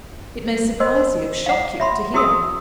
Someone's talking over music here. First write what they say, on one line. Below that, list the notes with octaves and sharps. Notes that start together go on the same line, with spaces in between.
It may surprise you, shock you to hear.
A#4 C5 D#5 C6
F5 F#5
E5 B5 C6
E4 F#4 G#4 C6 D#6 E6